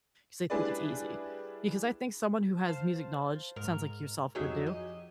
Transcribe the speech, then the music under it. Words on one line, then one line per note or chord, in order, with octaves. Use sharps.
'cause they think it's easy. Because I think someone who has music knowledge, sounds like yourself would do,
G3 D4 E4 G#4 B4 D5
C5 F5 A5
G#2 A#4
F2 F#3 D#4 G4 G#4 E5
D#5